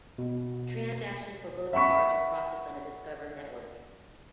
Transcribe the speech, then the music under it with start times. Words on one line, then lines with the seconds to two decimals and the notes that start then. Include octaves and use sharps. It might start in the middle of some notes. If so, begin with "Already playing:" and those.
Transactions for both cards were processed on the Discover Network.
0.18 B2
1.73 E5 F#5 B5 C#6 B6